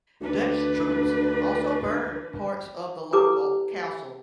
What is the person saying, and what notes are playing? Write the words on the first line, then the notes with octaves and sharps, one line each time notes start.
Dutch troops also burned parts of the local castle.
D2 D4 B4
E4 G4 A4 B4 A#5 D6